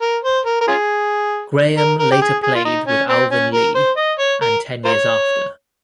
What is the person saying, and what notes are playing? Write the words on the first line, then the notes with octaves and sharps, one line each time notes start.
Graham later played with Alvin Lee and Ten Years After.
A#4
C5
A#4
A#4
C#4 F4 G#4
A#4
A#4
G4
G#4
G#4
F4
D#4
C#4
C4
C#4
A#4
C5
D#5
C#5
A#4
F4 A#4 C#5